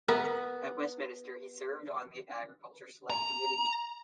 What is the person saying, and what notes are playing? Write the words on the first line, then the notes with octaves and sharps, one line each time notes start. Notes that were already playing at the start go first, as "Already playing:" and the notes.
At Westminster, he served on the Agriculture Select Committee.
B3 A#4 E5 A#5
A#5